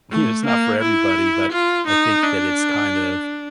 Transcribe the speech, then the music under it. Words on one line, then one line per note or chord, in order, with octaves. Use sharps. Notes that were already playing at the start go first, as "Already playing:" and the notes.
You know, it's not for everybody, but I think that it's kind of
A3
A#3
E4
F4
D#4
D4